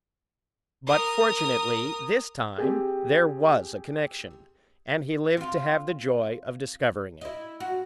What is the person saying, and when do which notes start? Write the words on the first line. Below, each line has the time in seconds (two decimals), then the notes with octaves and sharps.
But fortunately this time there was a connection, and he lived to have the joy of discovering it.
0.87 A#4 D#6
2.58 C4 G4 G#4
5.37 C4 F4
7.21 E4 D#5
7.60 F#4